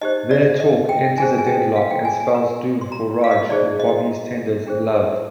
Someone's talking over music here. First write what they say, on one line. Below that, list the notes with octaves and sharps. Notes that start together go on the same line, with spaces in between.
Their talk enters a deadlock and spells doom for Raj and Bobby's tender love.
D#4 G4 C5 D#5
D5
D#5
G5
D4 G#4 C5 G#5
G#5
G5
F5
G5
G#5
G#5
F4 A#4
C6
A#5
F5
D#5
D#4 G#4 C5 D5
D#5
D4 G#4 C5